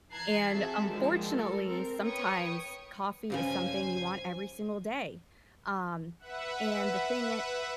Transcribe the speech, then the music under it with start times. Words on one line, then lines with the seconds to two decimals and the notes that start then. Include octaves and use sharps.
and, unfortunately, sometimes coffee is something you want every single day, um, and the thing it
0.10 E3 A5 A#5 F#6 G#6 C7
0.50 C4 F#4 G#4 A4 E5 A5
0.90 D3 D#3 F3 G#3 A#3
1.26 A4 A#4
1.66 C4 A#4
2.05 B4 C#5 G5 C#6 D#6
3.30 G2 C#3 F3 C5 G#5
6.19 B4 E5 F#5